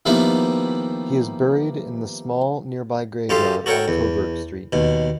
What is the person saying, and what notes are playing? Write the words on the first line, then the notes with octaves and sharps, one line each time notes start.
He is buried in the small nearby graveyard on Coburg Street.
D#3 F3 G3 A#3 B3 E4
F#2 F4 G4 A4 C6
F#4 A4 A#4 C#5 F#5 G5
E2
D#2 B2